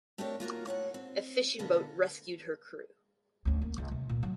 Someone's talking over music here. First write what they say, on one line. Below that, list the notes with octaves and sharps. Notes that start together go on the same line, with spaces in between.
A fishing boat rescued her crew.
A3 C4 D4 G4 A#4 C#5
A#3 F4 F#4 A#4
A2 C#5 F5 F#5
C4
B2 D3 A#3 B3
D2 C#4
A#3
C#2
C3
A#2
F#3